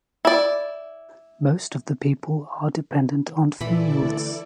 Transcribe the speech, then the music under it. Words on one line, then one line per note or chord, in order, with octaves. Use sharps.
Most of the people are dependent on fields.
E4 D5
A#2 E3 E4 A4 D5 B5
D3 A3